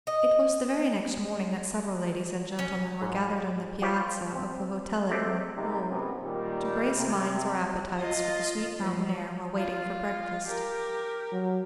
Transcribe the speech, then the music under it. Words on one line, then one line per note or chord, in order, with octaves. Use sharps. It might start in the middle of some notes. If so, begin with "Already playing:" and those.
It was the very next morning that several ladies and gentlemen were gathered on the piazza of the hotel at Montepoole, to brace minds or appetites with the sweet mountain air while waiting for breakfast.
D#5
C#4
G#2
F4 G4 C5 C#5 F5 G5
C4
G#3 A3 C4 G4 A4
C3 G3 A#3 D#4
F#2 C3 B3 C4
A#2 D#3 G3
C3
F4 D#5
F3 F#3
F4
G4 A#4
F#3